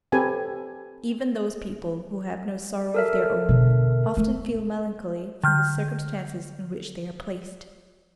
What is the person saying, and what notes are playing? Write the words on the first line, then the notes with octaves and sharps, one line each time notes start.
Even those people who have no sorrow of their own often feel melancholy from the circumstances in which they are placed.
C4 G4 A4 B4 G#5
A4 A#4 E5
B2 D3
A3
D3 F6 G6